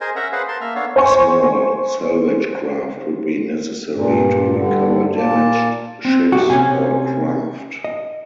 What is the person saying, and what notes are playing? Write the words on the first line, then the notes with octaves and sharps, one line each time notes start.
A small salvage craft would be necessary to recover damaged ships or craft.
G#4 A#4 C5 D#5 G#5
C#4 A#4 E5 F#5 A#5
G#4 B4 C5 F5 F#5
A#4 A5 C6
A#3 E5 F6
B3 D4 A4 C#5 F5
C5 G#5 C#6
G2 A#2
G2 D3
A#2 A#3 A5
C4
B1 A3 F#4 G4
C3 C4 C#4 G#5
D#5